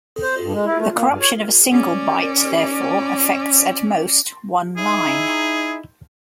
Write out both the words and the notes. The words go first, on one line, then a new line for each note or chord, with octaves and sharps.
The corruption of a single byte therefore affects at most one line.
C5
G2
G#3
E4
A3
A#3
G2
C#5
C#4 D5
D#4 E4 G#4